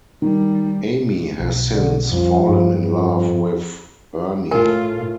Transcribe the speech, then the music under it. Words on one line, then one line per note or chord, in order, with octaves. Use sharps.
Amy has since fallen in love with Ernie.
D#3 G3
B1
D3
F2 F3 G3 C4
G2
F2
A2 F4 A#4 G#5 A5